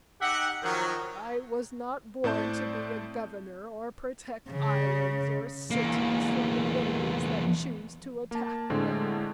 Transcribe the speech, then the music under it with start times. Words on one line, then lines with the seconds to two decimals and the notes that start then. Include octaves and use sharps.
I was not born to be a governor or protect islands or cities from the enemies that choose to attack them.
0.21 D#4 G4 D#5 E5 F#5
0.63 D#3 F3 F#3
2.24 A2 C4 D5 A5 G6
4.50 C#3
5.71 E2 A#3
8.31 A#3 A5
8.70 A2 D3 G#3 C4